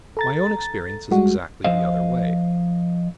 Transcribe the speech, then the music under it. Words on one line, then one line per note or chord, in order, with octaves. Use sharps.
My own experience is exactly the other way.
A4 A#5 A6
G3 G#3 F#4
F3 A4 C5 D#5 F5